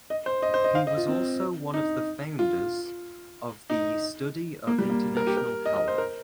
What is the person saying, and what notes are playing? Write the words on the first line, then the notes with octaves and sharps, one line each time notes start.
He was also one of the founders of the study of international health.
D#5
C5
D#5
C5
D#5
F5
D#5
F4
C4
D#4
F4
D#4
A#3
G3
A#3
A#4
G4
A#4
D#5
D#5
C5
A#4